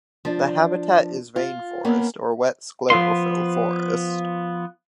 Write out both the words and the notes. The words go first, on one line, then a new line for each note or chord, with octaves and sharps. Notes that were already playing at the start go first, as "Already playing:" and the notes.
The habitat is rainforest or wet sclerophyll forest.
F3 D4
F4
A#3 B3 C#4
F3 B3 F4 C6